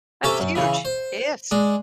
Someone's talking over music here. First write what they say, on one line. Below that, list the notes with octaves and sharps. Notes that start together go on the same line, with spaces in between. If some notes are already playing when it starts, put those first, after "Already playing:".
That's huge. Yes.
C3 C#4 A4 C#5 E5 D6
F#2
C#3 E3
C5
G#3 D4